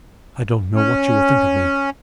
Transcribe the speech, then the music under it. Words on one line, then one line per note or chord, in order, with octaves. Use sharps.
I don't know what you will think of me.
C#4